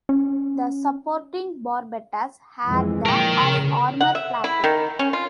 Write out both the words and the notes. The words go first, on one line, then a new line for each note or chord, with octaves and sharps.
The supporting barbettes had the of armor plating.
C#4
F2 E3 G#3
A#2 F3 A#4 G5
C#3
F#5
E5
E4
D#3
C#4
F4